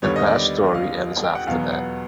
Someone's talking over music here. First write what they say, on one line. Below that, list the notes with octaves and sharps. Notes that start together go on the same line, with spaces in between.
The past story ends after that.
D#2 D3 G3 B3 C#5
D#5
D5
F5
G5
F#5
E2 B2 F#3 B3 F5
F#5